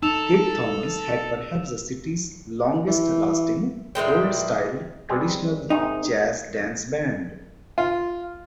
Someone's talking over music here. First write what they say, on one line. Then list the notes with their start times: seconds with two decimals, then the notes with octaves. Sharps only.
Kid Thomas had perhaps the city's longest lasting old-style traditional jazz dance band.
0.03 D#4 A4 E6 E7 F7
2.88 E3
3.95 A#2 E3 G#3 G5
5.09 G3 G#3 C4
5.70 G#2 C3 D#3 D#4
7.78 F4